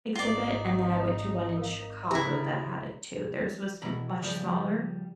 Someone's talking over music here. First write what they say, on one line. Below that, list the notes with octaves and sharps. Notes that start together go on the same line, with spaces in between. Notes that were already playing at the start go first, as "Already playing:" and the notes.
exhibit, and then I went to one in Chicago that had it too. Theirs was m much smaller,
G#1 D#4 F4 D5
A#4 F5
C#3 E4 G4 A#5
F#4 E5
B2 E3 A#5 B5
C#3 F3 G3